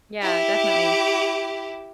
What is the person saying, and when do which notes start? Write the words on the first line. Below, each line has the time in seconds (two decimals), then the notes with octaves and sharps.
Yeah, definitely,
0.21 E4 G4